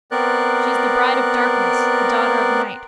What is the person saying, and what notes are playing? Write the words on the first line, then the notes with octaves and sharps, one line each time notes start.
She is the bride of darkness, a daughter of night.
B3 C4 A#4 D5 F#6